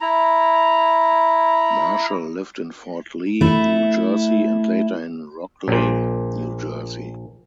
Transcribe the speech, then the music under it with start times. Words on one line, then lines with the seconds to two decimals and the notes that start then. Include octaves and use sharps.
Marshall lived in Fort Lee, New Jersey and later in Rockleigh, New Jersey.
0.01 E4 A#5
3.41 A3 E4
5.68 A#1 A#2